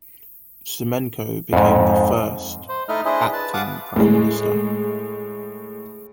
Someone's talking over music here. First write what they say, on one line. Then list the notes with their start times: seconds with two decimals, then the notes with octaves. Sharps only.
Symonenko became the first "acting Prime Minister".
1.53 F2 G#2
2.69 C5
2.89 A3 D#4 E4 D#5 F6
3.05 D4 E4 G#4 C5 D#5
3.33 B4 A5
3.54 F5 F#5 A5 D6 D#6
3.96 A2 G#3